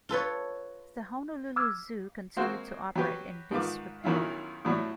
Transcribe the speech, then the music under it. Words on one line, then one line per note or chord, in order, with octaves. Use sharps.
The Honolulu Zoo continued to operate in disrepair.
F4 A4 B4 C#5
D6 E6 F6 G#6
G#3 A#3 C4 F#4 C5
F#3 F#4 G4 B4
G#2 D#3 F4 B4 D6
B1 D#3 F#3 C#4 E4 F4
A2 F#3 G3